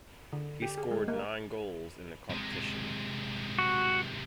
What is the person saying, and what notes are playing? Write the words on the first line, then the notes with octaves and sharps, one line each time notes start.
He scored nine goals in the competition.
D3
G4
G#4
G#3
A#3
C3 G#3
F#4